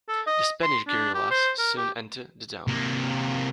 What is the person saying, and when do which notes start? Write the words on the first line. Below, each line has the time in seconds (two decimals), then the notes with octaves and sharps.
The Spanish guerillas soon enter the town.
0.09 A4
0.27 D#5
0.63 C6
0.87 D4
1.15 G4
1.31 C5
1.59 A#4
1.77 G4
2.68 C3 A#3